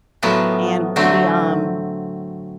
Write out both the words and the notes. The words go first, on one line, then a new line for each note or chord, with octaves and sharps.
and we, um,
A2 F3 F#3 B3
D3 F#3 A3 C4